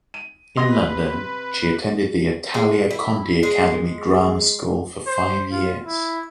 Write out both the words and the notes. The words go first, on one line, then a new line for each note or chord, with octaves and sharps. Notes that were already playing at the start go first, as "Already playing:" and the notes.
In London, she attended the Italia Conti Academy drama school for five years.
D#7
C3 B4 D#5 C6 D#6 A#6
G#3
E4
G#3
C5
F4
E4